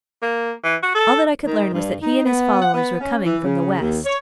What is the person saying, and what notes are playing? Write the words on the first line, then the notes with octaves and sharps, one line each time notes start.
All that I could learn was that he and his followers were coming from the West.
A#3
E3
F#4
A4
D#3
G2
D#4
B3
F#5
B3
C#4
E3
C#3
D#2
C#5